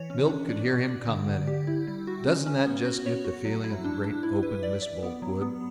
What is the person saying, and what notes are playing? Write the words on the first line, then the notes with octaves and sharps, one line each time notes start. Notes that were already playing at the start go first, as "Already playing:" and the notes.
Milt could hear him commenting, "Doesn't that just get the feeling of the great open, Miss Boltwood?"
Already playing: E3 C#5
C#4
D4
D5
F#4
D5
D3
D3
G4
E4
G3
F#4
C#4
C#4
B3
F#4
C#5
F#4
F#3
E4
D4
D4
E4
B4
D5
D5
B3
F#3
B3